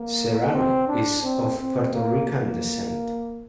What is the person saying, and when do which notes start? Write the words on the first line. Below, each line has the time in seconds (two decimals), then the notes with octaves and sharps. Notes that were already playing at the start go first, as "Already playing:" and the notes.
Serrano is of Puerto Rican descent.
Already playing: A#3
0.53 C4
0.87 D4
1.23 C4
1.58 C4
1.92 A#3
2.28 A#3